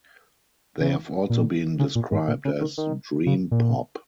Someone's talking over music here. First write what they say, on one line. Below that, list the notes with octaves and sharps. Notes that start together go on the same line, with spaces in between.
They have also been described as dream pop.
C#3
A#2
C#3
A#2
G#2
A#2
C#3
D#3
D#3
C#3
A#2